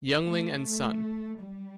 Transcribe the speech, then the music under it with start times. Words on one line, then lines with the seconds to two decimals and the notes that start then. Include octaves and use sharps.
Yuengling and Son.
0.25 A3
1.42 G3